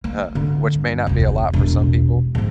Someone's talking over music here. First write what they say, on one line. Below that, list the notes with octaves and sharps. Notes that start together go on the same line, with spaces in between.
uh, which may not be a lot for some people.
A#3
D3 A#3
G2
F1 D2
E1 A1
G#2 F3